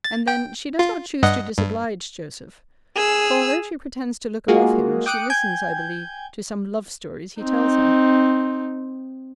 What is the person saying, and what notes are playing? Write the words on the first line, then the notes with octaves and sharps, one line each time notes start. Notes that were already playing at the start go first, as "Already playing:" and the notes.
And then she does not choose to disoblige Joseph; for although she pretends to look above him, she listens, I believe, to some love-stories he tells her.
A6
G5
F4
G2 D#5 F#5
G2
G#4 E6
G#3 A#3 F4 F#4 G#4
G5 D6 D#6 F#6 C#7 D7
G5 G#5 G6 G#6
C4 D#4